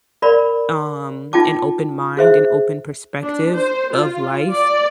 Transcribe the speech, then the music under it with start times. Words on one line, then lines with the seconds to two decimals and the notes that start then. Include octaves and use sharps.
um, an open mind and open perspective of life
0.22 A#4 D5 B5
1.33 D#4 F4 G5 A5 D6
2.17 G#4 C5 E5
3.22 D4
3.53 C5
3.93 F4
4.51 D5